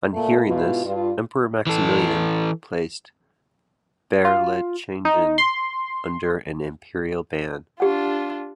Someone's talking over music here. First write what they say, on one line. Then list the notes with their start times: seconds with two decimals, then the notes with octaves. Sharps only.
On hearing this, Emperor Maximilian placed Berlichingen under an Imperial ban.
0.13 A#2 A3 A#3
0.47 G#2 B2 E4 F4
0.85 G2 F4
1.67 E3 A4
4.25 F4
5.05 D#4
5.38 C6
7.80 D4 F4 G4 F#5